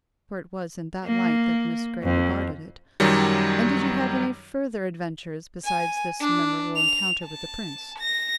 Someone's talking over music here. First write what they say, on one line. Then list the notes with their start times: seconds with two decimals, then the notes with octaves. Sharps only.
For it was in that light that Miss Grey regarded it. "And did you have any farther adventures besides this memorable encounter with the prince?"
1.05 A#3
2.04 F2
3.00 F#2 D#3 F#3 G3
5.64 G#5
6.21 D4
6.76 F7
7.25 A5
7.99 A#6